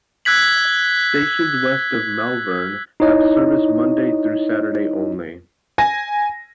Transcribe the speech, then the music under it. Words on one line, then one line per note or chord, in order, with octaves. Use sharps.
Stations west of Malvern have service Monday through Saturday only.
E6 F#6 G#6 B6 F#7
D#4 E4 C#5 D#5
G#5 A#6